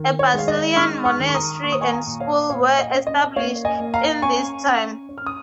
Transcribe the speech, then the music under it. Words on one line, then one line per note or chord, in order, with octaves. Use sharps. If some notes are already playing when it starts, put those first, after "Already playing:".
A Basilian monastery and school were established in this time.
Already playing: D#3
C#5
G#3 F5
D#5
D#4 C#6 F6
C#6 F6
D#3
C#6
A#5 D#6
A#3 C#6
D#6
G#5 C#6
F5 A#5
A#2
C#5 F5
A#2 C#5 F5
D#5
C#4
D#5
A#3 C#5 F5
D#5 G#5
A#3
F5 A#5
C#4 G#5 C#6
C#4
C#4
F6
D#6